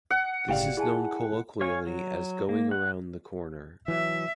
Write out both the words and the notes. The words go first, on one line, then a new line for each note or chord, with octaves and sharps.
This is known colloquially as "going around the corner".
F#5
G1 A2 C#3 G4 D5 F5 G5
E4 G#4 G#5 A5
C#5 F5 G#5 C#6
F#3
A#3
F#5
E3 F#3 E5